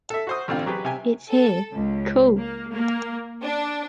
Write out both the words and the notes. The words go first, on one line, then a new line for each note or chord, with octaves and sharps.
It’s here. Cool.
A4 E5
F#4 C5 D#6
A1 D3 C4 F4 F5
F#3 G4 G#4 B4
C3 G4 G#5
A4
C#2
A#3
A#3
D4